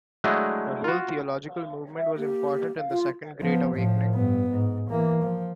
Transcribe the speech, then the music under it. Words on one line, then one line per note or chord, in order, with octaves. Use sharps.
The whole theological movement was important in the Second Great Awakening.
F#3 G#3 A3 D4 E4 D#5
F4 F#4
E5
A#3 G4
F5
F4
F3 B3
A2 F3
G2 B3
G#2
E3 A#3
F3